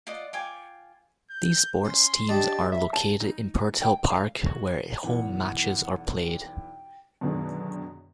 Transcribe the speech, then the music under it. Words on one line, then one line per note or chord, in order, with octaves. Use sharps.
These sports teams are located in Purtell Park where home matches are played.
F4 D5 D#5 F#5
F4 G5 G#5 D6
G6
C#4 C6
D4 D#4 G4 A5
E5
A5
D#4
G5
F5
F#4
B1 E2 F#5
G5
F#2 B2 D3 D#3 G#3